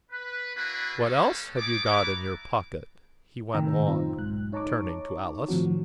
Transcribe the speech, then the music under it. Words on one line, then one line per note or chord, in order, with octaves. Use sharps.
'What else have you got in your pocket?' he went on, turning to Alice.
B4
A#3 D4 E4 F#4 B4
G3 A#3 B3 C#4 A4
A3 D#4 G#4 D6
A3 B3 E4 B4 A#5 D6
A2 C3 D#3 G5 A#5 E6
C4 D#4 F4 C5
B1 G#2 F#6
D#4 C#5 A5 A#5 C#6 D6
A2 D#3 F3 C4 F#4